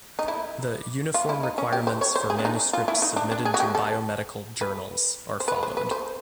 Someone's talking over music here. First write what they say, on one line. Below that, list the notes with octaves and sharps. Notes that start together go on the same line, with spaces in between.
The "Uniform Requirements for Manuscripts Submitted to Biomedical Journals" are followed.
D#4
E4
F4
E4
D#4
C#4
G4
C5
C#5
C5
G#4
D4
D#4
F4
E4
D#4
D4
D4
G#4
F#4
G4
A4
B4
C5
B4
C5
B4
C5